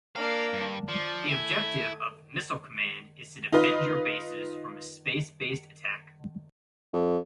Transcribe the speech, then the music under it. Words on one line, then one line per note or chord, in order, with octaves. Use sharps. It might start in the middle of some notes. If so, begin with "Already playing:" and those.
The objective of "Missile Command" is to defend your bases from a space-based attack.
A#3 D4 F5
G2
F3 D5
A3 E4 G#5
D#4 F4 B4 D#5
F2